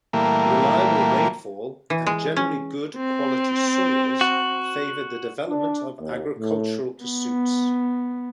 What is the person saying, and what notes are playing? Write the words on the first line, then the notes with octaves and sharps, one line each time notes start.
Reliable rainfall and generally good quality soils favoured the development of agricultural pursuits.
A#2 E3 G3 A3 A#3
E3
G#3
C#4
C4
F#4
D4
D#2
A2
B3